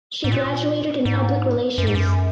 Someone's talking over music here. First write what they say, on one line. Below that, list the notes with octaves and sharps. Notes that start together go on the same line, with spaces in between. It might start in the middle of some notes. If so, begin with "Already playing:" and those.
She graduated in Public Relations.
G#2
A#2
G#2
F#2
G#2
F#2